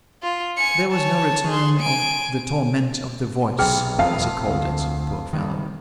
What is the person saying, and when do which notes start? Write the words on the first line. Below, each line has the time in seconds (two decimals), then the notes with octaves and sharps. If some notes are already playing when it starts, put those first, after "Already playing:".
There was no return of "the torment of the voice"--as he called it, poor fellow.
0.23 F4
0.57 G#5 C#7
0.92 C#5 A5
1.48 G#4 C6
1.80 G#5 D7
3.59 B1 C3 G#4 G5 F6
3.98 E1 B1 F2 B2 F5
4.47 D2
5.33 D#3 G3